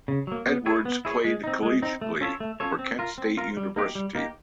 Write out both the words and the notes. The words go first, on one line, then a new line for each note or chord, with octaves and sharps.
Edwards played collegiately for Kent State University.
C#3
F#3 A#3
B3
E4 G#4 C#5
B3
E4 G#4 C#5
G#3
C4 D#4
G#3
C4 D#4
A3
C#4 F4 A4 C#5
A3
C#4 F4 A4 C#5
C4
F4 A#4
C4
F4 A#4
G3
A#3 D#4 G4
G3
A#3 D#4 G4